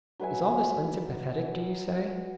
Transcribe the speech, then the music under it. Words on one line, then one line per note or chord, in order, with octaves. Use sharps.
Is all this unsympathetic, do you say?
F#3 B4 E5 G#5